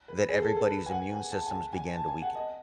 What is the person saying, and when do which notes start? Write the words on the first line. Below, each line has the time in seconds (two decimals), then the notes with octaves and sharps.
that everybody's immune systems began to weaken.
0.08 B4
0.29 G#4
0.42 A4
0.57 A4
0.70 B4
0.86 G#5
0.91 F#5
1.12 G#5
1.32 A5
1.47 G#5
1.52 A5
1.73 G#5
1.94 A5
2.08 G#5
2.22 F#5
2.35 D#5